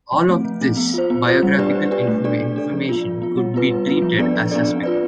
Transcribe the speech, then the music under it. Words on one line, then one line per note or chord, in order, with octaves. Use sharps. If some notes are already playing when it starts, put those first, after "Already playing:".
All of this biographical information could be treated as suspect.
F3
A3 C4
F3
A3 C4
B3
F4 C5
B3
F4 C5
G3
D4 G4 B4 D5
G3
D4 G4 B4 D5
A3
D4 A4 D5
A3
D4 A4 D5
F3
B3 F4
F3
B3 F4
G3
B3 F4 B4
G3
B3 F4 B4
F3
B3 D4 A4 D5
F3
B3 D4 A4 D5
C4
F4 B4 D5